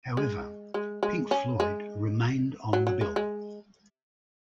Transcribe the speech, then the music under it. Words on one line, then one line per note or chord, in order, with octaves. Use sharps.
However, Pink Floyd remained on the bill.
G#3
G#3
G#3
C#4
G#3
F#3
F#3
G#3
G#3